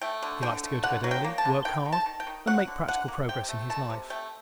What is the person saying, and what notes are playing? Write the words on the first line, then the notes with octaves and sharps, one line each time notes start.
He likes to go to bed early, work hard and make practical progress in his life.
A3 G5
D3
D3 G5
A3
D3 F#5
F#3
G5
A#3
A5
D3
D#3 G5
D#3
A5
D#3
G5
D#3
F#3 F#5
D3
D3 F#5
A#3
C3 G5
A3
D#3 A5
C3
A3 G5